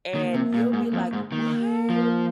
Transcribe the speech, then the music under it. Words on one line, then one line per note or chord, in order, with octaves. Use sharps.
And you'll be like, "What?"
D#3 A#3
C3
A#2
G#2
F2
G#2
D#3 A#3
F3